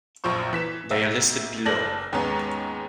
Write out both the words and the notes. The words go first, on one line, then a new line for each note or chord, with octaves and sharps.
They are listed below.
A#1 F#2 F3 F4 C5 C#6
E3 B6 E7
B1 E5
F#1 D5 A5 A#6 F#7
D#2 G#2 G#3 B3 C#4